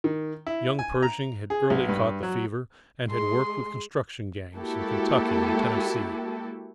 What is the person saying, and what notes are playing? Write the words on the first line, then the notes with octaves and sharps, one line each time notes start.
Young Pershing had early caught the fever, and had worked with construction gangs in Kentucky and Tennessee.
D#3
E4
G#5
A#5
G#4
B1
G2
F#3
G#3 G#4 C6
G#3 A#3 E4 F#4 G4 A4